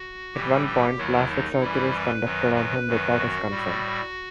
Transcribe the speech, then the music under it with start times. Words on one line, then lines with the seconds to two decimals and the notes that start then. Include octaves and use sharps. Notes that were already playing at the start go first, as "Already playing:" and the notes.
At one point plastic surgery is conducted on him without his consent.
Already playing: F#4
0.35 A2 E3 G3 G4
0.67 G4
0.98 D#2 D#3 F#3 E4
1.29 D#4
1.61 F#2 E3 G3 E4
1.93 B4
2.24 F#2 D#3 F#3
2.56 B4
2.88 F#2 D#3 F#3
3.19 F#4
3.51 A2 G3